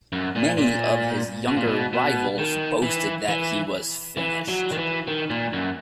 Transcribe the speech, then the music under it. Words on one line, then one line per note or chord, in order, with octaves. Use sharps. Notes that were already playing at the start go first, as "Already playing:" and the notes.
Many of his younger rivals boasted that he was finished.
F#2
A#2
A#2
B2
A#2
B2
B2
D#3
E3
E3
E3
F#3
D#3
E3
D#3
A#2
F#2